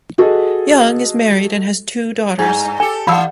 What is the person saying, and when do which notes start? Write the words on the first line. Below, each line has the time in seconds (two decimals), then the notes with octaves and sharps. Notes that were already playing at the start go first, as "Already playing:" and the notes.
Young is married and has two daughters.
0.18 F#4 G#4 A4 D#5
2.39 G2 G#4
2.80 G4 A4 G#5
3.07 E3 F5 F#5 B5 E6